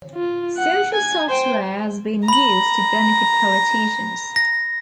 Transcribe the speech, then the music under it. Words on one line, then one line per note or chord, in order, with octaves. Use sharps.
Social software has been used to benefit politicians.
F4
F#5
G#5 G#6
C5 G5
A#5 B5 F#7
A#6